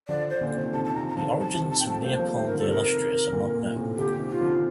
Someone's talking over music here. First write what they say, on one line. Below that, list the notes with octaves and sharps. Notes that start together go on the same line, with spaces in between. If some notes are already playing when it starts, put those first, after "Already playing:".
The origins of Leopold the Illustrious are not known.
D3 F3 D5
C5
A#2 D3
C3 D#3
D3
C3 D#3 A5
A5
C3 D#3 A#5
A#5
D3 F3 A5
D#3 G3 A5
C3 D#3
A5
G5
F3 A3 A5
G3 A#3 C5
F3 A3
D#3 G3 C5
D3 F3 A#4
A4
C3 D#3 A#4
A#2 D3
A#2
A2 C3
A#2 D3 G4
C3 D#3
F4
D3 F3